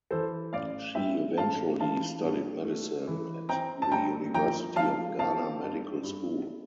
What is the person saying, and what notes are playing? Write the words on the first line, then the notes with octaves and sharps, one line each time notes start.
She eventually studied medicine at the University of Ghana Medical School.
E3 A4 C5
A1 D5 F5
G2 E5 G5
A1 F5 A5
E3 F5 A5
G2
A3
E3
C4 G5 A#5
A5
G2 G5 A#5
F3 G5 A#5
F3 F5 A5
C4 F5 A5
G2
G2